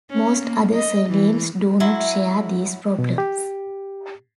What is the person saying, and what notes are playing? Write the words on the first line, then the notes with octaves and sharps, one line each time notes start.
Most other surnames do not share these problems.
C#4
A#3
D#5
E3
F#3 E4 C6
B2
G4